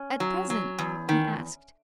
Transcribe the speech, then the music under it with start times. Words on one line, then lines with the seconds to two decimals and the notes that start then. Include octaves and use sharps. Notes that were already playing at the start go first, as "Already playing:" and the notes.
"At present?" he asked.
Already playing: C#4
0.20 F#3
0.50 F#3
0.78 E2
1.09 D#3